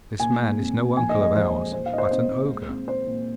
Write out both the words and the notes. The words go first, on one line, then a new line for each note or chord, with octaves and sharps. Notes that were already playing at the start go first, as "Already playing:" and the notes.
This man is no uncle of ours, but an ogre.'
A#2 G#5
G#3
C4
A#2
F3 G#5
D#5
G#3
D#5
F2 C5
G#3
A#2 C5
F5
A#2 D#5
C5
C4 C5
A#2
G#3
C4
C4 C5
A#2